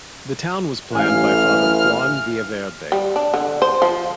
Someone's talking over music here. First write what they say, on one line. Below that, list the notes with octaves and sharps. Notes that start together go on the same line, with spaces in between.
The town was planned by Father Juan Villaverde.
A1 E4 F5 G#5 F6
G3
D4
D3
C5
F3